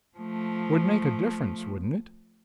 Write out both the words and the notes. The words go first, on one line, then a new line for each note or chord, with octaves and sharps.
Would make a difference, wouldn't it?
F3 A3